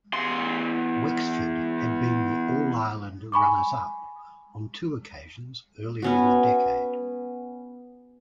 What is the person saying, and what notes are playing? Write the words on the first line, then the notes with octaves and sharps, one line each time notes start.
Wexford had been the All-Ireland runners-up on two occasions earlier in the decade.
E2 C6
G#5 B5 C#6 D6
B3 C#4 F#4